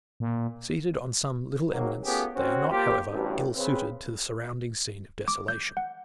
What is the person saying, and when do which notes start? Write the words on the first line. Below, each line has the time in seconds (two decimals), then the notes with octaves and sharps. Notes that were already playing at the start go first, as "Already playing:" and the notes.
Seated on some little eminence, they are not, however, ill suited to the surrounding scene of desolation.
0.20 A#2
1.71 G#1 F#3 A#3
2.04 A3 B3 C#4 F4 G4 G#4
2.34 C4 C#4 F#4
2.70 A#3 F4 G4
3.09 A1 D2 G2
3.55 C#3 C4 B4
5.28 D6
5.48 G6
5.77 F#5